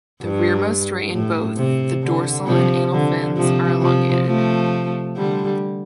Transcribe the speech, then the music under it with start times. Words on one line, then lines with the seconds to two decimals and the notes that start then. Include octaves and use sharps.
The rearmost ray in both the dorsal and anal fins are elongated.
0.22 G2
1.12 A2
1.56 C3
2.02 D3
2.46 C3 F3
2.92 D3
3.36 C3 F3
3.82 C3 F3
4.27 F3 A3
5.17 D3 G3